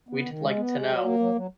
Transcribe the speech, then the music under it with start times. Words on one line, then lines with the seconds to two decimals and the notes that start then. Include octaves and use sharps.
We'd like to know.
0.09 B3
0.25 D#3
0.40 G#3
0.56 B3
0.73 G#3
0.88 F#3
1.03 A#3
1.19 F#3
1.35 F#3